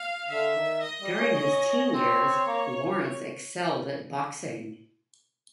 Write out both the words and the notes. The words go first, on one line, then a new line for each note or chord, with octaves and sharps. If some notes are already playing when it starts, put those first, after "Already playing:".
During his teen years, Lawrence excelled at boxing.
Already playing: F5
D3 E5
D#3
D#5
G3
C#4
C#4
C4 C#5
A#3